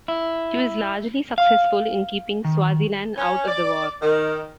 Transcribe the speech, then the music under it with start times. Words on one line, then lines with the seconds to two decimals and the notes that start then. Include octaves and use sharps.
She was largely successful in keeping Swaziland out of the war.
0.08 E4
1.38 F5
2.45 D#3
3.18 C#4
3.46 D5
4.01 D#3